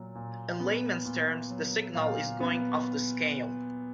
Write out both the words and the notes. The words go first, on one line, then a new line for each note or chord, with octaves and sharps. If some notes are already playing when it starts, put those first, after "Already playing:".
In layman's terms, the signal is going "off the scale".
Already playing: A#2 F#3
A#2
B3
A#2
F#3
A#2 F5
B3